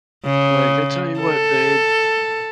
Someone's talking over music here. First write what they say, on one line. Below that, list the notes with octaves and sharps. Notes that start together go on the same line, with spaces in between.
Like, "I tell you what, babe”
C#3
A4